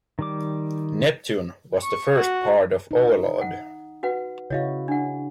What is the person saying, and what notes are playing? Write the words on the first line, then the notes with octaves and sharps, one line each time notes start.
"Neptune" was the first part of "Overlord".
D#3 G3 D6
C#6
F#4
D#4
F#5
F#4 B4 F#5
C#3 E4 F#4 C#5 D#5 F5
D4 F#5